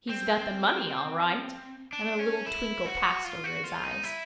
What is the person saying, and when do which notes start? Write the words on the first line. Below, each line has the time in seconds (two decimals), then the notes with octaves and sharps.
"He's got the money, all right," and a little twinkle passed over his eyes.
0.09 C4
1.93 D4
2.19 C#4
2.46 E4
2.86 F#4
3.25 F4
3.44 F#4
3.64 F4
3.84 D#4
4.04 E4